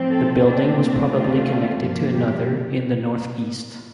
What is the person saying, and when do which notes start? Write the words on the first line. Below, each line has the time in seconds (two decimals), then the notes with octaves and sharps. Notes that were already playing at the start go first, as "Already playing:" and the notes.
The building was probably connected to another in the northeast.
Already playing: A2 F3 C4
0.10 A4
0.44 A#2 A3 C4 D4
0.78 D4
1.11 D3 A3 C4 F4
1.79 G2 F3 A#3
2.13 G4